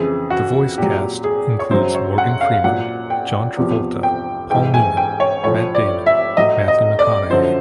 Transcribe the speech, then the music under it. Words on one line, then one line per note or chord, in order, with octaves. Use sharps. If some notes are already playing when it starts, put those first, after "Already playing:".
The voice cast includes Morgan Freeman, John Travolta, Paul Newman, Matt Damon, Matthew McConaughey.
Already playing: F2 C#3 E3 G#4
F#4
A#2 F#3 G4
G#4
C#5
F#2 C#3 F#3 C5
C#5
F#5
F5
F5
A#2 F#3 F#5
G5
E2 C3 F3
G5
G#2 E3 G5
G#5
G5
C#5
A2 F3 C#5
D5
E5
A2 F#3 D#5
D#5
D5
F#2 D3 F3 C5